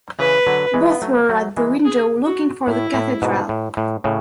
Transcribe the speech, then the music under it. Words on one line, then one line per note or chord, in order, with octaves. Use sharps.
Both were at the window looking for the cathedral.
C#3 E3 B4
D3 F#3
E3 G#3
B3
F#3 A3
F#3 A3
E3 G#3
G#4
F#4
A2 E4
A2
G#2 B2
A2
A2
A2 C#3